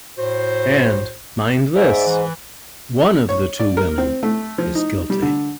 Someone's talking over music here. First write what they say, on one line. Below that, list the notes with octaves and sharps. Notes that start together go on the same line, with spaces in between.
And, mind this, one of the two women is guilty.
A2 F#4 C5
G#2 D5 E5
E3
C#5
D5
A#4
C4
A3
F3
D#4
G3
D3